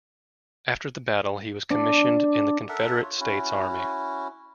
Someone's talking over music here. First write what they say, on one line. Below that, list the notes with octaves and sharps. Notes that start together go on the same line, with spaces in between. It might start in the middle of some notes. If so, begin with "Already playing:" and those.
After the battle, he was commissioned in the Confederate States Army.
D4
A4 A#4 E5 F#5
F4 C#5
C#4 E4 F#4